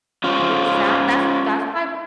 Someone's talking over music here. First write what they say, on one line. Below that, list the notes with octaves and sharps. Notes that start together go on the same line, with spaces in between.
Exact That's that's why
C#4 F4 C5